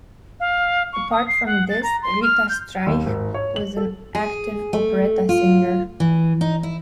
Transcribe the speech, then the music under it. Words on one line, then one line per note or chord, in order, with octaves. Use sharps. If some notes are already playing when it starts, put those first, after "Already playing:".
Apart from this Rita Streich was an active operetta-singer.
F5
C#6
D#6
C7
F#5
A6
A#5
C6
F6
G6
D#2
G#1
C#5
F#7
A4
G#4
A3
F4
E3
D#4
E4